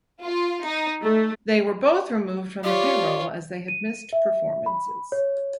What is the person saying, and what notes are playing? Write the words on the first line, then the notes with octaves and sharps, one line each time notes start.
They were both removed from the payroll as they had missed performances.
F4
D#4
A3
F4 G4 C#5 D5
D#7
E5
B5
C#5